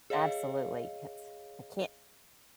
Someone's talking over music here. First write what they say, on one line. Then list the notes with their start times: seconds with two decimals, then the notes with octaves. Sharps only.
Absolutely, 'cause I can't
0.10 G#4 C#5 D#5 F5